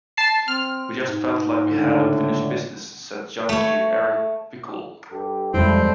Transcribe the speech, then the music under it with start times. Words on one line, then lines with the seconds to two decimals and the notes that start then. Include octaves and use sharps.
"We just felt like we had unfinished business," said Junkie Eric Bickel.
0.17 A5 C7
0.48 C4 F6
1.06 G#2
1.71 C#2 A2 D3
3.49 A3 C#5
5.11 G2 G4 A4
5.54 F2 A#2 C#3 G3 G#3 C4 E4 A4